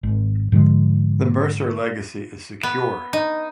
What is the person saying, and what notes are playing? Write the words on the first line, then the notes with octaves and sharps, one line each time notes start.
The Mercer legacy is secure.
G#1
G#2 D3 F3 G#3
B3
D#4